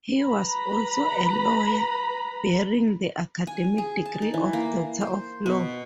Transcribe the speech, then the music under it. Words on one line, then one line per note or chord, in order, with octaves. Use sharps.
He was also a lawyer, bearing the academic degree of Doctor of Law.
B4 A#5 B5
G#5
G#4
A5
D#4
E3
A#3
C5
B2